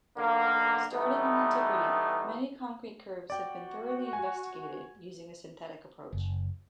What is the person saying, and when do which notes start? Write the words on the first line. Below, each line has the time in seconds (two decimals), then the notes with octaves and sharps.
Starting in antiquity, many concrete curves have been thoroughly investigated using the synthetic approach.
0.17 B1 D3 A#3
0.92 E3 G3 A3 B3 D#4
3.30 F#4 D5 G5
4.13 G#5
6.13 F#1